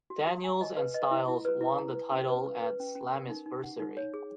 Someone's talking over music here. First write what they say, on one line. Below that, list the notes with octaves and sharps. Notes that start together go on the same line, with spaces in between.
Daniels and Styles won the title at Slammiversary.
F#4
F#4
G#5
D#5
B4
D#5
E4
E4
B4
E4
A#5
B4
C#4
B4
B4
B4
C#4
C#4
A#4
D#4
D#4
F#5
D#4
C#5
G#4